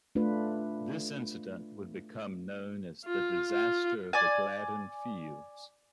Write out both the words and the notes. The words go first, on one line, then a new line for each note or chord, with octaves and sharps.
This incident would become known as the Disaster of the Gladden Fields.
A3 D4 F4 B4
F4
F4
D5 G#5